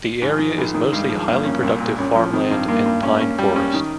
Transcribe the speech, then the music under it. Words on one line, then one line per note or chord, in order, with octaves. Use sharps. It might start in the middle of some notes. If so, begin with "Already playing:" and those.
The area is mostly highly productive farmland and pine forest.
G#2 F3
D#3
A#1
D#3
G2 G#3
F3
G2 A#3
C#4
C2
A#2
C2 C#4
F3
D#3 C4
G2
G2 A#3
G2
A#3 C#4
C#4
G3 A#3
C#4
D#3